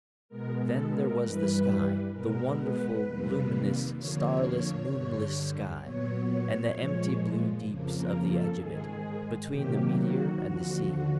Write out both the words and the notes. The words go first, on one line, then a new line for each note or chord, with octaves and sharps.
Then there was the sky, the wonderful, luminous, starless, moonless sky, and the empty blue deeps of the edge of it, between the meteor and the sea.
B2 G#3 B3 A#4
A4
A#4
G2 E3 G3 B4
B2 G#3 B3 A#4
B4
F2 C3 D#3 G3 A#3
F2 D3 F3 A#3 C#5
G2 D3 G3
A#2 F#3 B3 C#5
A#2 F3 G#3
F2 C#3 F3 A#3
A#4
A4
G#2 D#3 G#3 G#4
C3 D#3 F#3 A#3 G4
F#4
D#2 D3 F3